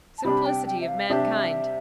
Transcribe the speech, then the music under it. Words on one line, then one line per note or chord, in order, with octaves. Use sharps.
Simplicity of mankind!
A5
C3 G3 D4 G4 B5
G5
G5
E5
F5
C3 G3 D4 G4 E5